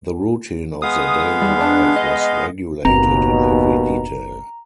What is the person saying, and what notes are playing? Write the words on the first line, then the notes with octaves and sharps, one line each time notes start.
The routine of their daily life was regulated in every detail.
G#3 B3 F5 D#6
G3
D4
D#5
F#1 D#2 B2 C4 A#5